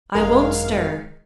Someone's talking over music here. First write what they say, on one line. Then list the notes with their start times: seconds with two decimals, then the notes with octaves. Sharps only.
"I won't stir."
0.15 G#1 F#2 G#3 A#4 F5